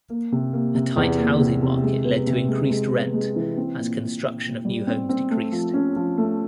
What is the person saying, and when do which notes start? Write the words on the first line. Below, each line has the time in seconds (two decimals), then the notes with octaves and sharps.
A tight housing market led to increased rent as construction of new homes decreased.
0.10 A#3
0.32 C3
0.53 A#3
0.75 C3
0.96 E2
1.18 A#3
1.40 C3
1.62 C3
1.83 G#3
2.05 B3
2.27 C3
2.48 G#3
2.70 G#3
2.93 B3
3.14 G#3
3.36 E3
3.57 C4
3.79 A#2
4.00 A#2
4.22 A#2
4.44 A#2
4.65 G3
4.87 C4
5.09 C4
5.30 A3
5.52 F3
5.73 C#4
5.96 F3
6.18 A3